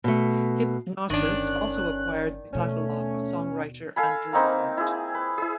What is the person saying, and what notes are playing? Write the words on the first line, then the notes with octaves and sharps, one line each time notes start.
Hipgnosis also acquired the catalogue of songwriter Andrew Watt.
B2 A3
G1 D#3 C#4 D4 F#6
D#2 B2 A3 C#4
A4 F5 G#5 B5
A#3 C4 D#4 B4
E4 G#4
B4
E4 G#4